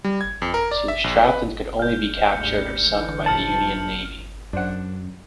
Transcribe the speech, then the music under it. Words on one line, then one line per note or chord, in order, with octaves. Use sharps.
She was trapped and could only be captured or sunk by the Union Navy.
G3
G#6
F2
A#4
D5
E5
A#1
B4
F6 G6
D2 G#2 G3 C#7
D3 E3
A#1 F#2 F#3 A5 F6 C#7 F#7
F#2 D4 C5 F#5